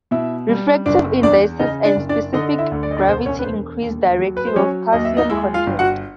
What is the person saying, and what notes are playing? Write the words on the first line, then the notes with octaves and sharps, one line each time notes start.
Refractive indices and specific gravity increase directly with calcium content.
B2 E4 E5
G3
F#1 D4 D5
E2 D4 D5
C#3 D#4 D#5
D4 D5
F#1
D4 D5
D3 D#4 D#5
D#5
E4 E5
D2
D5
D#5
D4 D5
E1 C5
C#4 C#5
B4
E1 C5
D#2
F#3
B4
C5
F#3 C#4 C#5
D#2 D#5
E5
D#4 D#5
G#3 E4 E5
F4 F5
G1
F#4 F#5